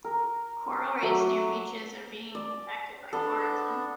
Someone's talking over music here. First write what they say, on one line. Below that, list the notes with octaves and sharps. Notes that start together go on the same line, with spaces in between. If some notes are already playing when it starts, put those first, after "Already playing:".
Coral reefs near beaches are being affected by tourism.
A#4
F#3 A3 D6
D5
B3 D4 A4